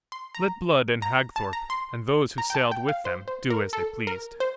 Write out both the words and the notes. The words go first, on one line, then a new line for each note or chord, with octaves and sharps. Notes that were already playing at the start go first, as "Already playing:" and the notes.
Let Blood and Hagthorpe and those who sailed with them do as they pleased.
C6
A#5
A#5
A5
A#5
C6
A#5
G5
A5
G5
F5
C5
C5
A#4
A4
A#4
C5